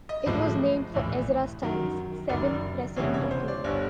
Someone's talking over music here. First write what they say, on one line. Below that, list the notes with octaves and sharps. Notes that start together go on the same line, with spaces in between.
It was named for Ezra Stiles, seventh president of Yale.
D#5
A1 A2 F3 G#3
A#1 A2 E3
F#2 D#3 F#3
F#1 F#2 D#3 D5
F1 E2 C#3 E3 G3 C#5
C#5
C5
D5
G1 D3 G3 C#5